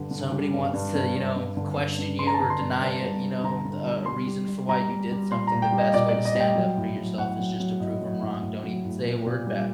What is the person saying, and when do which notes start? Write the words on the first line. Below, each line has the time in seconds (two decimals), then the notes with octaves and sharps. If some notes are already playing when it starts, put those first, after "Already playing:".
Somebody wants to, you know, question you or deny it, you know, a a reason for why you did something, the best way to stand up for yourself is just to prove 'em wrong, don't even say a word back.
Already playing: G2 D3 G3
0.11 D3
0.32 G3
0.53 G2
0.74 G2
0.95 G2
1.16 G2
1.36 G2
1.57 D3
1.77 G2
1.99 G2
2.19 G2 C6
2.27 A#5
2.34 A5
2.40 D3 A#5
2.50 C6
2.61 G2
2.82 G2
3.02 G3
3.23 G3
3.43 D3 A#5
3.65 D3
3.86 G3
4.06 G3 C6
4.27 G3
4.48 G3
4.68 G3 A#5
4.89 G3
5.11 G3
5.31 A#2 C6
5.47 A#2 A#5
5.62 G5
5.72 G3
5.78 D#5
5.94 A#2 D5
6.09 D5
6.15 A#2
6.25 D#5
6.35 G3
6.40 G5
6.56 F#3
6.77 A2
6.97 F#3
7.18 A2 F#5
7.39 F#3
7.60 F#3
7.80 A2 D#5
8.02 F#3
8.22 A2
8.43 A2
8.64 F#3
8.85 A2
9.05 A#2
9.26 A#2
9.47 G3